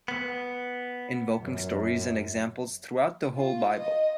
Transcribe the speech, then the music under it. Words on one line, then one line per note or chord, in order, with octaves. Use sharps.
Invoking stories and examples throughout the whole Bible.
B3
F#2
F4
D#5